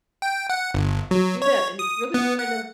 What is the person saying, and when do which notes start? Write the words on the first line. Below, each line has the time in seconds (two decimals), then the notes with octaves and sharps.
do that, and it's really kind of,
0.22 G5
0.50 F#5
0.75 G1
1.11 F#3
1.42 C#5
1.79 D#6
2.14 B3
2.39 F#5